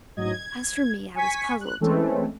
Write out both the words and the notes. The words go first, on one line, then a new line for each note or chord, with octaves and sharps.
As for me, I was puzzled.
A1 G#2 F#3 D#5 G#6
G#6
G#5 C#6 G#6 B6
F#6
E3 G#3 A3 C4 C#4